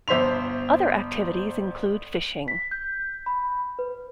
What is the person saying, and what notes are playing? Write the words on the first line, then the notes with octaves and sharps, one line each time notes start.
Other activities include fishing.
G1 C5 E5 C6 F7
B6
G6
B5
B4